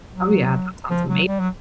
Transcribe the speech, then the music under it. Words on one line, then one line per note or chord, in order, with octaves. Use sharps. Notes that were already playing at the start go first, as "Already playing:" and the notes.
Oh yeah, that sounds amazing
F#3
F3
F#3
G3
F#3